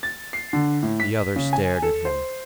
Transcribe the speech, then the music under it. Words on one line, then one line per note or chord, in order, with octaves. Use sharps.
The other stared at him.
A6
C7
D3
A2
B6
C#3
G#5
A4
C5